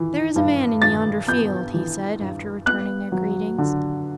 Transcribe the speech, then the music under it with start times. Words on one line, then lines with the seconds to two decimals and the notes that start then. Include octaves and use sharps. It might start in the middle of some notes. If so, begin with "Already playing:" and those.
"There is a man in yonder field," he said, after returning their greetings.
Already playing: E3
0.36 G2
0.82 G2 A6
1.27 B3 G6
1.74 E3
2.21 G2
2.66 B3 F#6
3.12 F#3
3.58 D3